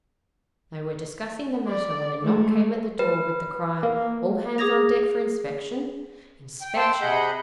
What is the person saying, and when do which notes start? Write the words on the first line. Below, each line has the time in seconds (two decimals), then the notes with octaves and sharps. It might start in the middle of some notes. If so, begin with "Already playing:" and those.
They were discussing the matter when a knock came at the door with the cry, "All hands on deck for inspection." Inspection!
1.68 D5
2.22 G#3 A3
2.99 B4
3.83 A#3
4.58 G#4 D6 D#6 G#6 A#6 F7
6.61 G5
6.76 C5 G5 A5 C6 E6
7.01 C3 G#4 D#5 F#5 B5 G6